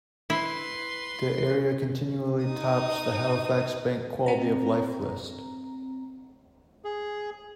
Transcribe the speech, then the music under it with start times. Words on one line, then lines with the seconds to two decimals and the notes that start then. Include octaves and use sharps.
The area continually tops the Halifax Bank Quality of Life list.
0.30 E4 B4 C6
2.45 D#4 D#6
4.26 C4 A#5
6.85 G#4